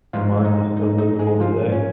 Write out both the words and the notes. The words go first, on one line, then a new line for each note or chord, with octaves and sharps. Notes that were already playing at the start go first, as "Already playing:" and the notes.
The mark is still visible today.
G#2 F3 G#3 F4
D#4
D#4
D#4
G#3 G#4
F3 F4
C#4